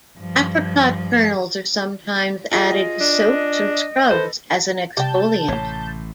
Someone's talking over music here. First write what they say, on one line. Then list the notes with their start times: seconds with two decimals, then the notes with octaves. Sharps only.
Apricot kernels are sometimes added to soaps or scrubs as an exfoliant.
0.19 G2 F3
2.52 F4 G#4 D#5
3.00 D4
4.10 A4 B4 C5
4.97 C3 G3 G5 A5 G6
5.48 A1 A2 C#5 A#5